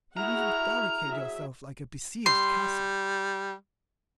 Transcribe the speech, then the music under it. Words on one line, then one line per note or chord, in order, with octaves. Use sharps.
You needn't barricade yourself like a besieged castle.
E4 F#4 G#4 F#5 A#5 F6
F#3 G#4 E5
G3 C6